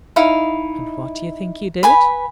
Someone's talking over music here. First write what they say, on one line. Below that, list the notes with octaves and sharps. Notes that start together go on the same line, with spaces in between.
And what do you think he did?
D#4 E4 F5
B4 G#5 B5